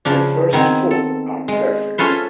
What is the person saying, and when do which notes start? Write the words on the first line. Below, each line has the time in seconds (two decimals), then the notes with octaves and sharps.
The first four are perfect.
0.05 C#3 F3 D4
0.53 D#3 B3 C4 G#5
0.91 A4
1.48 G#3
1.98 C#4 F4 A4 B4 C5